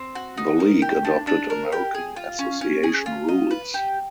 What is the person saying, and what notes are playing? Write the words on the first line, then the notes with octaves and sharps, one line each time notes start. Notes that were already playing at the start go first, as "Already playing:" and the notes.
The league adopted American Association rules.
Already playing: C4
F#4
D#4
A#4
G4
D4
D4
A#4
G4
G#4
F4
C#4
C#4
G#4
F4
D#5
B4
G4